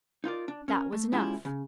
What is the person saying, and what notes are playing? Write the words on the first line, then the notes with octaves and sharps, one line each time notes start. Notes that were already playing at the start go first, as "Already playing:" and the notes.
That was enough.
D#4 F4 A#4 D5
D4
C#4 A#4
A3
B2 G#3 C#4 E4 F4 G4
C#3